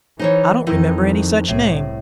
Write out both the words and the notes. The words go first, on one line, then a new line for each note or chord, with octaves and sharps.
'I don't remember any such name!'
E3 D#4 C5 C#5
F2 D#3 D#4 E4
C2 A2